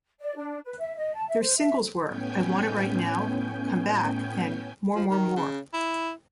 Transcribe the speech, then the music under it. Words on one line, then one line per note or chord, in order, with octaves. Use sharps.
Their singles were "I Want It Right Now", "Come Back" and "More More More".
D5
D4
B4
E5
D#5
A5
E5
C5
E5
A2 B3 C#4 G5 G#5 G6
F3
D#3
C#3
E4